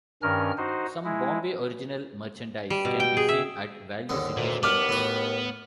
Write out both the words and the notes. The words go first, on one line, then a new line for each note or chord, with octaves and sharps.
Some Bombay Original merchandise can be seen at Value City Furniture.
G2 D#3 C#4 A#4 F6
D#4 F#4 C5
G#3 E4
G3
B2
G5
G#4
E5
D#2 G#2 D3
D2 A#2
D#2 B3 D4 D6 F6
A2 F#4